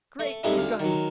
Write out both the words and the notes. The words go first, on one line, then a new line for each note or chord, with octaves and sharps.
Great guns!
A3
A2 G3 G#3 C4 D#4 E4
D2 F5
D#3 F#3